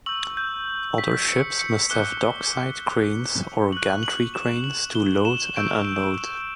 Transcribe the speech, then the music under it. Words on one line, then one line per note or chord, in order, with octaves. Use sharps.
Other ships must have dock side cranes or gantry cranes to load and unload.
C#6 E6 G6 F#7
G6
B6
C#7
C#7
D6 F#6 G7
C#6 F#6 F#7
F#7
E7
F#7
G7
E7
C#6 E6 G6 D7